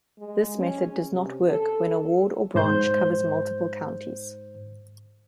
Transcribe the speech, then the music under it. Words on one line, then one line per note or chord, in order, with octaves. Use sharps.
This method does not work when a ward or branch covers multiple counties.
G#3
C#4
C3
A4
G#2 C5 G6